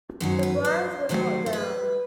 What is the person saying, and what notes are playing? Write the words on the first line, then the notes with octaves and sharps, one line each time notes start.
The blinds were not down.
F#2 D#3 F#3 C5
B4
C5
C3 D#3 F#3 A3 C5
C5
B4